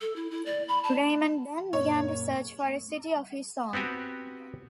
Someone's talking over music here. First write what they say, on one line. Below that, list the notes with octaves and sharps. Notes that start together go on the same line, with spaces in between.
Raymond then began to search for a city of his own.
A4
E4
E4
D5
B5
A5
F#2 A#2 A#3 C#5
B3 C4 F#4 G4 G#5